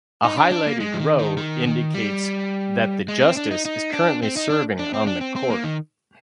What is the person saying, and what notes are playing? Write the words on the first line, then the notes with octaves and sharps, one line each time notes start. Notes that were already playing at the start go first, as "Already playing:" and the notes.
A highlighted row indicates that the Justice is currently serving on the Court.
D#4
D4
D4
A#3
G#3
F3
D#3
D#3
D#3
D#3
G3
G#3
C4
D4
D#4
D#4
D4
C4
D#4
D4
D4
C4
D4
C4
C4
A#3
D#3